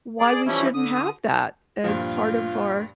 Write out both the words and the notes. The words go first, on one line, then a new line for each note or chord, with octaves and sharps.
why we shouldn't have that as part of our,
G#4 D5
E3 F3 G3 C#4 E4
D3 D#6
G2 A#2 F3 F4